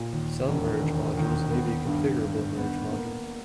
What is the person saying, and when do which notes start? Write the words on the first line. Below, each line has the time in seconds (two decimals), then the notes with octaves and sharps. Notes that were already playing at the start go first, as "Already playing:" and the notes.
Some merge modules may be configurable merge modules.
Already playing: A#2
0.13 D#2
0.48 E1
0.82 D#2
1.17 D#2
1.52 B3
1.87 G2
2.21 G2
2.57 B3
2.91 A#3